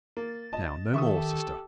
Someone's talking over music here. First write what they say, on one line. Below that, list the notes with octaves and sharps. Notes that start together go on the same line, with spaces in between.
Now, no more, sister!
A#3 A6
D#5 A5
D#3 G4 A4 E5 C#6 D#6